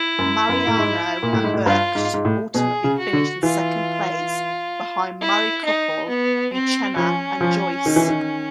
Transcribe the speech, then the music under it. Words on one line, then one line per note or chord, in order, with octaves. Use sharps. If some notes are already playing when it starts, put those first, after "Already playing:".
Mariano and Brkich ultimately finished in second place behind married couple, Uchenna and Joyce.
Already playing: E4
F#2
F#2
A2
G#2
A#2
A2
G#2
A2
G2 F4
G#2
G#2
A2
B2 G#4
C#3
F#4
D3
E3 F4
E4
D#4
B3
C4
F3 C#4
F3
D#3
E3
D#3